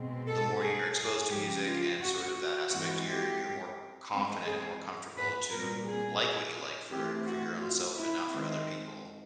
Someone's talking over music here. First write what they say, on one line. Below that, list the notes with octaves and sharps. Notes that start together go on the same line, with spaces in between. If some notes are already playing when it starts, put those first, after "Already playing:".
the more you're exposed to music and sort of that aspect, you're you're more c confident and more comfortable to like what you like for for your own self and not for other people.
Already playing: B2 G#3 C4
A4
G#4
G#4
C#3 F3 G#3 G4
F4
F#4
E3 G#3 C4 F#4
G4
E3 G#3 C4
G#4
B4
A#2 G3 C4 A#4
G#4
E3 A3 C4 G4
F#4
F4
E4
D#3 G#3 C4